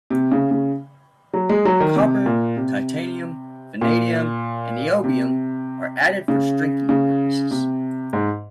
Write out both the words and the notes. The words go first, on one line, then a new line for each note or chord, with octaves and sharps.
Copper, titanium, vanadium, and niobium are added for strengthening purposes.
C3
C#3
C#3
F#3
G#3
F#3
D#3
C3
A#2
C3
A#2
C3
C#3
C#3
C3
G#2